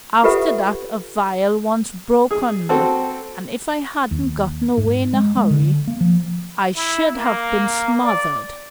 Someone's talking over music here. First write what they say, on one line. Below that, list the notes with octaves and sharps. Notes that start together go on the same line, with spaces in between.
After that a vial once broke on me and if I hadn't gotten away in a hurry I should have been smothered.
F4 G4 A4 B4 E5 F#5
G#4
C4 F#4 A4
D#2
G#2
G#3
G#3
D3
A#3
F3
E4
A#3
D5